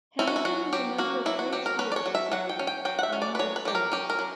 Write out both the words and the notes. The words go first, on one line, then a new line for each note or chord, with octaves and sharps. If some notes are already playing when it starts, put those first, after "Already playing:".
Hamilton was a member of Craig's theatre society, the Pioneer Players.
C#4 E4
F#4
E4
F#3 F#4
F#3 G4
A#3 F#4
F#3 E4
F#4
F#3 G4
A#4
C#4 B4
D5
C#5
F#3
E5
F#3 F#5
G5
C#4
G5
F#3 G5
F#5
E5
C#4
D5
B4
F#3 C#5
B4
F#3 G4
A#4
C#4 G4
A#4
F#3